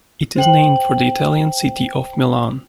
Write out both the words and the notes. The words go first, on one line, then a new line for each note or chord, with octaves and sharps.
It is named for the Italian city of Milan.
C5 G5 F#7